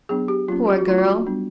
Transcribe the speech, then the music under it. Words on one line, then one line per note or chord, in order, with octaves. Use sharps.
Poor girl!
F#3 B3 D4 G#4
G4
F#3 A#3 C#4 F4
G4
F#4
F#3 A3 D4 F4
F#4
G3 B3 D4